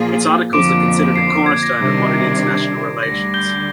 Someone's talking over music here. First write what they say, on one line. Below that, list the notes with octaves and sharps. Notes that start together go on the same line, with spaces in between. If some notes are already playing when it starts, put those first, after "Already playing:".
Its articles are considered a cornerstone of modern international relations.
Already playing: A#2 F3 A#3 F4 G#4
F2 D3 F3 A#3 D6 D7
C7
G#6
A#6
C3 D#3 G3 D4
D2 D3 G3 A#6
G6 G7